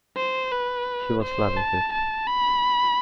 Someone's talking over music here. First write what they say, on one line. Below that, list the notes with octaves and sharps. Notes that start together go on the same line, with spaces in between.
He was loving it!
C5
B4
C5
A5
A5
B5